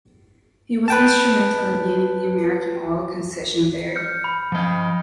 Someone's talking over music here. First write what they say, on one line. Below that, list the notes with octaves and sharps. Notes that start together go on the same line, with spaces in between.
He was instrumental in gaining the American oil concession there.
B4 G5 A5
F6 G6 C#7
B5
F3 D#5